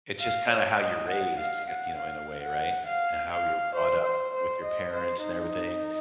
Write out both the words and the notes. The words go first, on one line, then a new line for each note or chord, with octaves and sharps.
It's just kinda how you're raised, you you know, in a way, right? And how you're brought up with your parents and everything.
F5
C#5
D#5
F#5
F5
F#5
F5
F#5
F5
F5
C5
C5
C5
D#5
C5
D#4